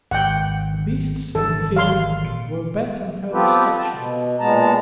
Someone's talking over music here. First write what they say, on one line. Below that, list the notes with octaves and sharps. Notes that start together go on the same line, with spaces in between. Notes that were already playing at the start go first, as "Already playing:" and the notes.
The beasts of the field were bent on her destruction.
G#1 F#5 G5
G#1 E3 F3 A4
F5 C6
A#2
B3 C4 F4 G4 A4 B4
A5
B2
A#2 G#3 B3 A5 A#5